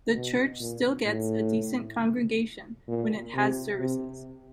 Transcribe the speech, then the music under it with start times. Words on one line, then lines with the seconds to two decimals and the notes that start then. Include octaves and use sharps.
The church still gets a decent congregation when it has services.
0.14 B2
0.60 A#2
1.06 A2
2.88 A#2
3.35 C3
3.80 C3